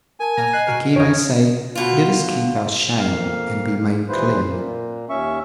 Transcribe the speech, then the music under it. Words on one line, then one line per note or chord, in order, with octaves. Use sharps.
Again I say, let us keep our shame and be made clean!
A#4 G#5 A5 G#6
A#2 A#5 D#7
D#5 F#6 C7
F#4 A#4
A1 F2 D#3 C#5 D#5 F6 D7
D2 B2 F4
F2 A#3 F5
D#2 A#2 E3 B4 C5
A#2 A#3
D#2 C#4 E5 C#6